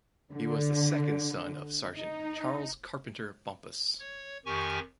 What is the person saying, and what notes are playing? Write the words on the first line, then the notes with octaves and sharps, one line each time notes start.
He was the second son of Serjeant Charles Carpenter Bompas.
D3
D#4
C#5
F2 D#3 G4 G#5 C#6